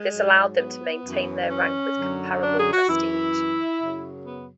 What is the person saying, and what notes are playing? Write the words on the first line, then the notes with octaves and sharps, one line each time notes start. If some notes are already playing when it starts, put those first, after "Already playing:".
This allowed them to maintain their rank with comparable prestige.
Already playing: G#3
G#2 F#3
B3
F#2 E3
C#4
F#2 D3 F#3
D4
G#4
F#4
F#2 E3 E4
F#2 C#3 F#3
B3